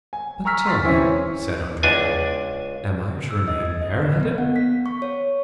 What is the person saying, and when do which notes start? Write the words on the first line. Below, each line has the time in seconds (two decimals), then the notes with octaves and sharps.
"But, tell me," said Andrea, "am I to remain bareheaded?"
0.13 G#5
0.45 A#5 C#6 E6 F6 B6
0.66 C6 C#6 F6 A6 B6
0.84 E3 C4 C#4 E4 C#5
1.83 C#2 D4 G#5
3.31 E6
3.48 D#5
3.60 G#6
3.82 D#5
4.00 B4
4.21 B3
4.38 F#5
4.56 B6
4.86 C#6
5.02 C#5